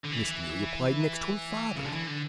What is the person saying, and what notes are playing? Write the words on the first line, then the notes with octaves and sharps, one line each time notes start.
Miss Neelie applied next to her father.
D3
E3
C#3
D3
E3
D3